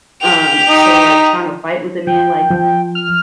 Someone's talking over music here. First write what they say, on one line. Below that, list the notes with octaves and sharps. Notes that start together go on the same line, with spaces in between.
um, so, like, tryna to fight with a man, like,
G4 F7
D#4
F3 G5
F3
F6